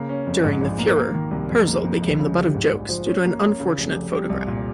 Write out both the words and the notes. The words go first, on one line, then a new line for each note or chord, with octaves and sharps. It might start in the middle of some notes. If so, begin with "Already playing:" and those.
During the furor, Perzel became the butt of jokes due to an unfortunate photograph.
Already playing: C#3 A#3
C#4
F2
G#2
A#1
A#3
A#3
D#3
C2
F2
A#3
F2
C#2
C#3
G3
G#2
A#1
F3
C#4
A#3
C#4
C#3
F1
F1
G3
C2
A#2